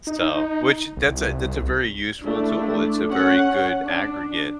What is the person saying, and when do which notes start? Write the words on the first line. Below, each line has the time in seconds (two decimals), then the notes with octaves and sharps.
So, which that's a that's a very useful tool. It's a very good aggregate
0.07 D#4
0.97 C2
2.21 A3 D4 E4
3.08 C#4 F#5
3.85 D4